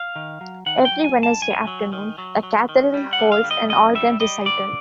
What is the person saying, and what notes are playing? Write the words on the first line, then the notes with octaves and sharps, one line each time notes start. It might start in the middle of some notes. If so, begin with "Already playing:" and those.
Every Wednesday afternoon, the cathedral holds an organ recital.
Already playing: F5
D#3
F#3
D#3 F#5
G5
F#3
G#5
F#2
A5
F#2 G#5
F#3
D#3
F#3
F#3
D#3
G3
F#5
D3
F5
G3
D#5
F#2 D#5
G3 E5
G3 D#5
D3 D5